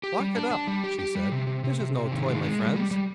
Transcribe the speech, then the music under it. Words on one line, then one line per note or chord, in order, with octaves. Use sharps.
"Lock it up," she said, "this is no toy, my friends."
G4
G3
D4
D4
G3
G4
G4
G3
C3
C3
C3
C3
C3
D#3
G#3
G#3
G3
G3
G3